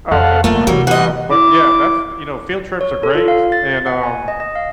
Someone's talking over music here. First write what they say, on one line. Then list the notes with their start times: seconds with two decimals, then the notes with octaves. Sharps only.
Oh, never mind. Um, but, yeah, that's th you know, field trips are great, and um
0.11 F2 A4 F5 F#5
0.44 F1 F#3 A3 A#3 F4 F5
0.67 C3 E3 F#3 G3
0.87 G3 D#5 F#5
1.30 E4 D6
2.81 C#5
3.03 A4
3.15 F4
3.28 F5
3.52 A6
3.86 F#5
4.03 G#5
4.28 D#5
4.40 D#5
4.55 F5